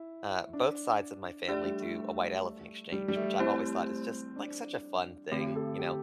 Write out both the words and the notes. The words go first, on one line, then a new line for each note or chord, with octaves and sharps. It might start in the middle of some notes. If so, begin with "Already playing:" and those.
uh, both sides of my family do a white elephant exchange, which I've always thought is just, like, such a fun thing, you know,
Already playing: E4
D4
A3 D4 G4 D5
G3
A3
G3
G3
A3
A3 C4 E4 G4 C5
D4
D3 A3 C4 G4
A4
G4